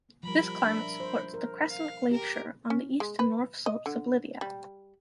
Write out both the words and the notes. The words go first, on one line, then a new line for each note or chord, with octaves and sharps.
This climate supports the Crescent Glacier on the east and north slopes of Lydia.
F3 G3 A#4 B5
D4 E5
C5
A#4
F5
G4 A#4
C#4
G#3
B4
D#5
D3
G3